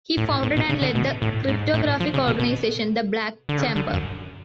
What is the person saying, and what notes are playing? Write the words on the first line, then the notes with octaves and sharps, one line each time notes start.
He founded and led the cryptographic organization the Black Chamber.
A2
A2
B2
C#3
D3
B2
A2
G#2
A2
F3
C#3
B2
B2
D3
C#3
D3
F#2